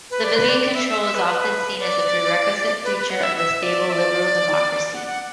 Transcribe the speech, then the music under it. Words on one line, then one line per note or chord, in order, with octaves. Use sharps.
Civilian control is often seen as a prerequisite feature of a stable liberal democracy.
B4
D5
B4
D5
D5
E5
E5
E5
B4
B4
D5
B4
B4
F#5
E5
E5
D5
E5
D5
F#5
F#5